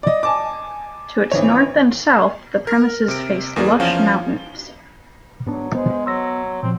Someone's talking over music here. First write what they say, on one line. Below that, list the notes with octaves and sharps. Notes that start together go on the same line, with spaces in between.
To its north and south, the premises face lush mountains.
D5 D#5
G#5 A5 D6
G#1 E3 C#5
A#4 F6
C3 D7
E2 A#3 G#4 D5
E2 F3 C#4 F5
G#2 F#3 B3 D4
G#3 B3 C5
F#3 C6 E6 A#6
A#2 F3 C4